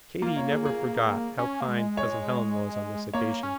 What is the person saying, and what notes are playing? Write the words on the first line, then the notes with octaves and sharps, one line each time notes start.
Katy never forgot how kind Cousin Helen was on this occasion.
A#3 F4
C#5
G#4
G#4
C#4
A#3
G#3
C#5
A#3 C#5
C#4